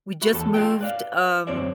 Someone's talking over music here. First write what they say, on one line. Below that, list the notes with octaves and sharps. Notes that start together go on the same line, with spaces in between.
we just moved, um,
F#4 E5 B5
E2 A4 A5
F4 G#4 A4 D#5 E5 G5
B4 D5 F5
F#2 D3 C4 C#5 D5 E5